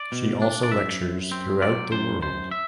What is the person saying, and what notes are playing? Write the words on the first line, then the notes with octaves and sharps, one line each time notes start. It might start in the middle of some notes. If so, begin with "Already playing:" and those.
She also lectures throughout the world.
Already playing: D5
B2
D4
D5
F#2 E5
F#2
C4
F#3 D5
F#2 C5
F#2 C5
E5